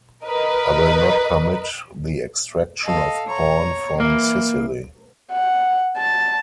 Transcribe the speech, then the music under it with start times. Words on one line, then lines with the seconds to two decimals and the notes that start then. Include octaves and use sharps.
I will not permit the extraction of corn from Sicily.
0.24 A#4 B4 D#5
2.83 A4 D#5 F5
3.27 C#5 A#5
4.00 E3 A#3
5.31 F#5
5.97 A5